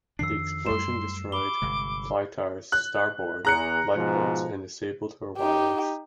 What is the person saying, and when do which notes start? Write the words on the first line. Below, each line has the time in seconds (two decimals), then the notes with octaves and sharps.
The explosion destroyed "Blitar"s starboard lifeboats and disabled her wireless.
0.19 F2 D#3 D4 E6 C7
0.66 F#2 G3 A3 C6 E7
1.32 B5 D6 G7
1.62 G1 C3 G#3
2.72 F#6
3.45 E2 G#4 A#5 F#6 C#7
3.95 G#2 B2 F3
5.37 D#4 G4